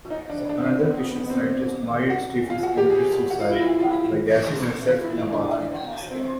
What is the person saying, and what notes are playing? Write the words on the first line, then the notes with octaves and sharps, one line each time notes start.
Another Christian Scientist Marion Stephens committed suicide by gassing herself in a bathroom.
D#4
D4
D4
C4
B3
C4
B3
B3
C4
F#4
F4
F#4
G4
G#4
F#4
F4
E4
E4
F4
E4
F4
E4
D#4
D4
C4